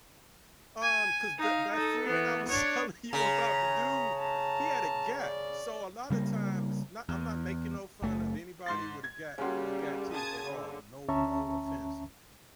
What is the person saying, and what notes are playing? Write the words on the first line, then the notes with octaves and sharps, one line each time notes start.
Um, 'cause that that friend I was telling you about, the dude, he had a gap, so a lotta times not I'm not making no fun of anybody with a gap with gap teeth at all, no no offense,
G#5
D#4 F5
D#4 A4
E3 B3
D4 C#5
C#3 A#5
A5 A#5
D5
C#3 G3 G#3 A#3
E2
F#1 A3
G#2 C6 A6
G#6
C#3 G3 A#3 C#4 F#4 C6
A5 D#6 G#6
D3
D2 C#4 E5 A5 A#5 C#6